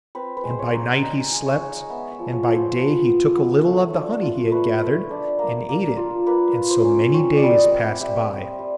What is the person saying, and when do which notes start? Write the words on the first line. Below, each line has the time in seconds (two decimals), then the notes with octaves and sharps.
And by night he slept, and by day he took a little of the honey he had gathered and ate it; and so many days passed by.
0.15 C4 B4
0.37 B4
0.44 G#3
0.50 C5
0.59 C#5
0.73 D#4
1.02 D#4 D#5
1.32 G#3
1.46 C#5
1.60 G#3
1.90 B3 E5
2.12 E5
2.19 F3
2.33 C#5
2.47 F3
2.55 C5
2.77 F3 B4
3.06 B3
3.36 B3
3.65 A3
3.93 D4
4.23 F4
4.52 A3 B4
4.80 A3
5.11 D4
5.39 A#3
5.69 A#3
5.97 F4
6.26 A#3 B4
6.55 F4
6.70 C5
6.84 C#4
7.14 C4 C#5
7.36 D5
7.43 G3
7.58 D#5
7.71 C4
7.79 E5
8.01 G3 E5
8.30 C4
8.59 G3